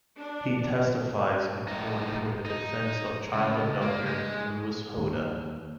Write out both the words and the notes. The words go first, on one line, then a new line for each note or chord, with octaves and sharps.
He testifies in court for the defense of child abductor Lewis Hoda.
D4
A2 D#4
D#4
C#2
A#3
G#3
D#2